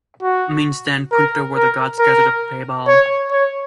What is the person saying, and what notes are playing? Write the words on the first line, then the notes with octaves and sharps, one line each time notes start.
Means then: Punta where the gods gather to play ball.
F#4
A#4
A#4
A#4
C#5
C#5